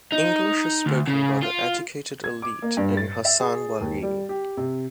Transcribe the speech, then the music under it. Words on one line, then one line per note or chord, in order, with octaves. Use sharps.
English is spoken by the educated elite in Hassan Wali.
D#4
D2
C#3
F4
G#6
D6
A#3
G2
A6
E5
G#4
D#2
G3
G4
C3